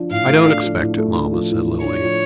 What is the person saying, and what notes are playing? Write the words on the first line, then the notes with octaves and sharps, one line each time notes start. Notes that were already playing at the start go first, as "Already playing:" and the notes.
"I don't expect it, mamma," said Lily.
Already playing: F3 D4
A2 F5
A3
D4
F3
A2
A3
D4
F3
A2
A3
D4 C#5
F3